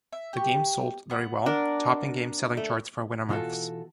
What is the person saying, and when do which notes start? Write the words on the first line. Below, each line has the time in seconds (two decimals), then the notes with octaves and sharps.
The game sold very well, topping game selling charts for winter months.
0.13 E5
0.33 G4 C#6
1.10 B3 F#5
1.46 D4 A#4
2.57 A3
3.29 B2 E3 F4 F#4 A4